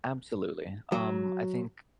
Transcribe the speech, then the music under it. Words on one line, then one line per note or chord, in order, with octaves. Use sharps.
absolutely. Um, I think
F#3